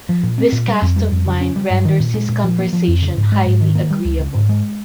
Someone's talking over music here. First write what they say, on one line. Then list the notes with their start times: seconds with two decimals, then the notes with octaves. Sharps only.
This cast of mind renders his conversation highly agreeable.
0.09 F3
0.23 A#2
0.38 C4
0.52 A#2
0.68 G3
0.82 F2
0.96 G3
1.12 F2
1.26 C#3
1.41 C#4
1.56 G3
1.70 G2
1.85 D#3
2.00 A#2
2.14 G#3
2.29 A#2
2.44 F3
2.59 A#3
2.73 F3
2.88 F2
3.02 C#3
3.17 G#2
3.32 G#3
3.46 G#2
3.61 D#3
3.75 A#3
3.91 G3
4.05 C#2
4.20 C#3
4.35 G#2
4.49 G#3